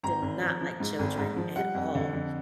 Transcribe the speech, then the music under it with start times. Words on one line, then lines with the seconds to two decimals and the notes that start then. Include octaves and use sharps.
did not like children at all.
0.03 G#1 A#5
0.22 G#1
0.41 F3
0.61 F3
0.80 G#2
0.99 G#1
1.18 G#2
1.36 F3
1.56 G3 F#5
1.75 F2
1.95 D3
2.13 F2